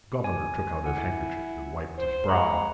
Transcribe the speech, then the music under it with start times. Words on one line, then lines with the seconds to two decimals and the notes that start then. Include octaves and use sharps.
The governor took out his handkerchief and wiped his brow.
0.24 G#5 D6
0.84 E4 F#5 G#5
1.98 C5
2.29 G#3 F#5 A#5 B5